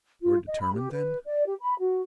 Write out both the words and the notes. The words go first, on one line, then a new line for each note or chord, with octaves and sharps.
"You are determined then?"
F4
D#5
B5
G4
B4
D5
G4
B5
F#4